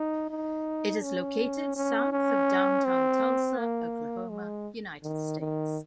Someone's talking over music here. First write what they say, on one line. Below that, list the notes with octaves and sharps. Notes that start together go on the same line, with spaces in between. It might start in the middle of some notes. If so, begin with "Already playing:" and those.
It is located south of downtown Tulsa, Oklahoma, United States.
Already playing: D#4
D#4
C#4
C#4
C#4
C4
A#3
G#3
D#3
D#3